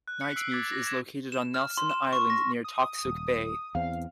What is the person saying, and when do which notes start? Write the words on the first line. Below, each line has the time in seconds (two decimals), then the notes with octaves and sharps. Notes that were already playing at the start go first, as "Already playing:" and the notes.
Nightmute is located on Nelson Island near Toksook Bay.
0.08 F#6
0.21 B6 C#7
0.36 E6 F#6 C7 D7 F#7
0.51 D6 G#6 A6 B6 F#7
0.72 D6 A#6
0.87 G#6 B6 E7
1.32 E7
1.54 F6
1.77 C6
1.89 E7
2.13 C#6
2.30 A#6
2.64 D#6
3.05 D#1
3.75 E2 C4 F5